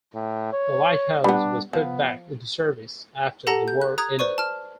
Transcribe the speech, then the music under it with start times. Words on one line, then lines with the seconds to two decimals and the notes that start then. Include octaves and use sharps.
The lighthouse was put back into service after the war ended.
0.14 A2
0.52 C#5
1.24 G3 B3 D4
1.73 F3 B3
3.47 G4 A4 F#5 A5 A#5 A#6
3.68 G6
3.82 F#6
3.98 A#5 D#6 F#6 G#6
4.19 B4 C5 D5 C#6 D#7
4.38 A5 F6